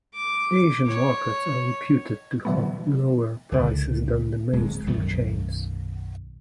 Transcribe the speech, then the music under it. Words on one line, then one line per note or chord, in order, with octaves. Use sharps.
Asian markets are reputed to have lower prices than the mainstream chains.
D6
C#5
B2 D3 E3 F#3 A3 B3
C#2 D3 D#3
D1 G#3 C4
B1 F#2 D#3 A3